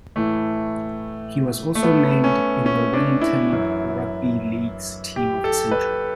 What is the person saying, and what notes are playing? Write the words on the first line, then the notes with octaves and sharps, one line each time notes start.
He was also named in the Wellington Rugby League's Team of the Century.
A2 E3 A3
A3
B3
C#4
C#4
D4
E4
F#2 E3
G4
A4
B4